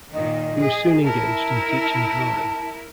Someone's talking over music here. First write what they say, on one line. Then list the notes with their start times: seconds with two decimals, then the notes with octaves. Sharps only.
He was soon engaged in teaching drawing.
0.13 A#2 D#3 D#5
0.58 G#4
1.05 E4 A#4 A5
1.81 A5